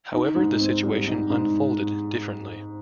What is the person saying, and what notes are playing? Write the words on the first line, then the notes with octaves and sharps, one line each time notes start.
However, the situation unfolded differently.
D#4
G#2
C4
G3
D#4
G#2